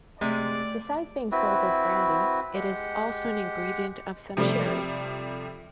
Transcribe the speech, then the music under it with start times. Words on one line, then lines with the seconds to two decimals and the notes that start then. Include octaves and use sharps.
Besides being sold as a brandy, it is also an ingredient of some sherries.
0.21 C3 G#3 A3 D5
1.32 C4 E4 F#4 B4
2.54 G#3 G4 F#5
4.37 C3 F3 G3 A3